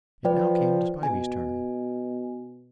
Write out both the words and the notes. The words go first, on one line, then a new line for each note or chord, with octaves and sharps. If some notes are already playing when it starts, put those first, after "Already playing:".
It now came to Spivey's turn.
F3 B4 D5 G5
B2 G#5